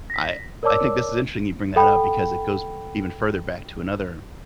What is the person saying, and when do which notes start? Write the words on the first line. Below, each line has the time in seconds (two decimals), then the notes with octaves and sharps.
I I think this is interesting you bring that up, because it goes even further back to another
0.10 A#6 B6
0.63 A#4 C#5 D5 A5 D6 E6
1.76 A4 F#5 G5 B5